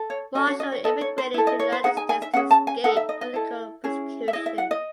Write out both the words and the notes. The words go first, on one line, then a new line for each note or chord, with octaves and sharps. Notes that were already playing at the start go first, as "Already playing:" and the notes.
Marshall emigrated to the United States to escape political persecution.
Already playing: A4
C#5
C#4 F#4 A4 D#5
C#5
D#5
C#5
D#4 A4 D#5
C#5
C5
E4 A4
D#5
C#5
C5
D#4 G#4 F#5
G#5
G#5
E5
C#4 G#4 F#5
A5
G#5
D#4 A4 F#5
E5
D#5
D#5
E4 A4
C#4 E4 G#4
E5
E4 G#4 D#5
E5
F#5
D#5